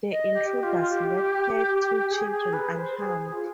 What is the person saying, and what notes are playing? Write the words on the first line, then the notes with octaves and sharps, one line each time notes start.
The intruders left her two children unharmed.
D#5
G4
F4
G4
G#4
G#4
B4
C5
G#4
G#4
F4